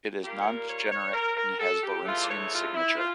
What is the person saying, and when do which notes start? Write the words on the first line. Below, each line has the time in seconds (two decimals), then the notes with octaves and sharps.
It is nondegenerate and has Lorentzian signature.
0.22 A#2 G3 A#3 G4
0.40 C#5
0.45 A#4
0.68 C#5
0.91 C#5
1.14 A#4
1.36 A#4
1.59 A4
1.82 G4
2.05 E2 E3 A3 F4
2.22 D5
2.28 C#5
2.51 F4
2.74 E4
2.97 F4